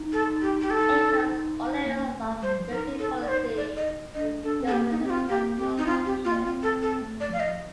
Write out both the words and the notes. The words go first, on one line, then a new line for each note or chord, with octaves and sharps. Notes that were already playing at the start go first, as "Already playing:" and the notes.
It covers all areas of security policy and government and personal action.
Already playing: D#4
A4
G4
G4
D#4 A4
A#3
A3
A3
G3 C5
F3
D#4 A#4
D#4
A4
D5
C5
D5
D#5
D4 D#5
D4 A4
C4
A4
A#3 G4
D#4
C4 G4
F4
A#3 G4
C4 G4
D#4
C4 F4
C4 G4
A#3 F4
C4 F4
A4
A4
A3
D5
F3 F5
D#5